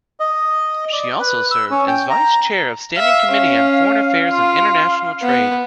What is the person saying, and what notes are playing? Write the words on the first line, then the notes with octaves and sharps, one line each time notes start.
She also served as vice-chair of Standing Committee on Foreign Affairs and International Trade.
D#5
D5
B4
E6
C#4
G5
A#5
E5 F5
C#4
F4
B3